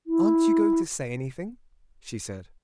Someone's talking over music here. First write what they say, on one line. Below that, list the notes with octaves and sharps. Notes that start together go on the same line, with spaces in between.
"Aren't you going to say anything?" she said.
E4